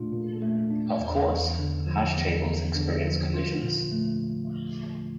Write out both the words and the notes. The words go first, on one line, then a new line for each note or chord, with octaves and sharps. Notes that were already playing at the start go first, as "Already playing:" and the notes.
Of course, hash tables experience collisions.
Already playing: A#2 A3 D4 F4
A#2
A3
D4
E2
E2
D3
F3
E2
E2
D3
F3
F4
A#2
A3